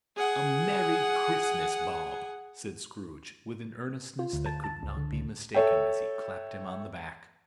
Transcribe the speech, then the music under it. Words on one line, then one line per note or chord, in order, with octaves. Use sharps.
"A merry Christmas, Bob!" said Scrooge, with an earnestness that could not be mistaken, as he clapped him on the back.
G#4 F#5
F4
D2
A5
A5
C#2
D3
C#2
A4 C#5 E5 G5